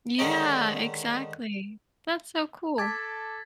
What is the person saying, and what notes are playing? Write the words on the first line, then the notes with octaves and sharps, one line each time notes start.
Yeah, exactly. That's so cool.
D3 D#3 G#3 C#4 D#4
A4 A5 D6 E6 G#6 A6 B6